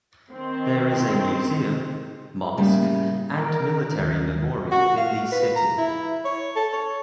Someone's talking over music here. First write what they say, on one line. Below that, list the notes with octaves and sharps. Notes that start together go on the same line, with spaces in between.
There is a museum, mosque and military memorial in the city.
D#3 C4
A2 C#3 G3 A#3
A#4
D#2
F#4
F5
B4
A#5
E4
C#5
A4
C#5